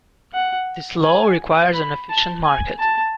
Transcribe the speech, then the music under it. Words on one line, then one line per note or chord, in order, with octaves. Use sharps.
This law requires an efficient market.
F#5
G#5
B5
A5
G#5
A5